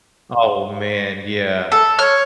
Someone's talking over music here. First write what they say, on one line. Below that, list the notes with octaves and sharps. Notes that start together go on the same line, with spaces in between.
Oh, man, yeah.
A4
C#5 F6